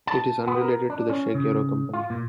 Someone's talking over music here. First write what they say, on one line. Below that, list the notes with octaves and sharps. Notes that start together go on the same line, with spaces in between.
It is unrelated to the Czech Aero company.
A5
B3
A#4
D4
C#4
C#3
F4
A#2